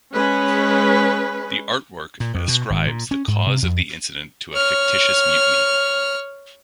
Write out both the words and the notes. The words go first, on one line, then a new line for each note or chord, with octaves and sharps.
The artwork ascribes the cause of the incident to a fictitious mutiny.
G#3 C#4 B4
A#2
F2
B2
G#1
A#2
C#4
G#2
C3
F2
C#5 F6